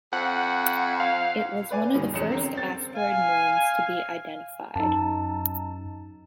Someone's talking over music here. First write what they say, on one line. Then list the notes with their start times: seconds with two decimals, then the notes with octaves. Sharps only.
It was one of the first asteroid moons to be identified.
0.13 F2 F#5
1.00 F5
1.71 B4 D5 G#5
1.94 G2 B2 D3 D#3
2.13 F1 E2 C#4 G#4 C#7 E7
2.29 D3 C4 C#4 A#4
2.55 C4 A6
2.96 F5 G#5
4.76 F#2 D#4 A5